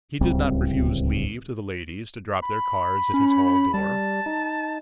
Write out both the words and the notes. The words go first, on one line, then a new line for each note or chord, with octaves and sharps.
He did not refuse leave to the ladies to drop their cards at his hall-door.
D1 C#2 G3 C4
B5
C#4
G3 A5
D#4